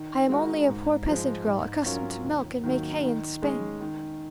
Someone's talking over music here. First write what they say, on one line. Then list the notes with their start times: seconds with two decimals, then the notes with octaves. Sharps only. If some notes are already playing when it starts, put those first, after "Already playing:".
I am only a poor peasant girl, accustomed to milk, and make hay and spin.'
Already playing: D#3
0.29 G#3 D#4 F#4 A#4
0.69 G#2
1.08 F3 G#3
1.47 G#2
1.86 F#3 C#4 F4 A#4
2.24 D#2
2.64 D#3 F#3 A#3
3.03 D#3
3.42 G#3 C#4 G#4
3.81 D#3